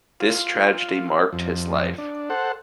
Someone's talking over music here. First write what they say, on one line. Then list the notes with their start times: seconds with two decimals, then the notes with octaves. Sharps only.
This tragedy marked his life.
0.20 F4
1.33 F2
1.98 D4
2.30 A4 C5 F#5